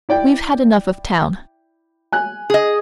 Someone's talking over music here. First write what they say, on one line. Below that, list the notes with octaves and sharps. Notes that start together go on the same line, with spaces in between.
We've had enough of town.
E4 D5 G5
G#5 F#6
G#4 D#5